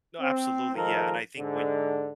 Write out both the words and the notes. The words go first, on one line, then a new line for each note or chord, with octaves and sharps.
no, absolutely, yeah, and I think when
C4
D#3 F3 G#3 A4 A#4
G#2 D3